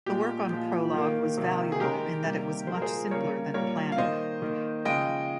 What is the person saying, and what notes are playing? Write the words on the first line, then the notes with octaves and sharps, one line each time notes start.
The work on Prolog was valuable in that it was much simpler than Planner.
A#2 G#3 G4
A#2 F3 G#3
D#3 A#3
C3 D#3 A#3
G#4
D#3 G#3 G4 A#4
C3 D#3 G3 A#3
A#2 F3 G#3 C5
A#4
G#4 C5
C#3 G3 A#3 A#4 C#5
A#2 G3 A#3 A#4 C#5
F5
D#3 A#3 C5 D#5
D#3 A#3
C#3 F3 G#3 D#5 G5